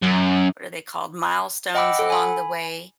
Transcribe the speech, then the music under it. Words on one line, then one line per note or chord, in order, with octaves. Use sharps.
what are they called- milestones along the way
F#2
D#5 F#5 G5 B5 D6 E6
A4 F#5
G#5 B5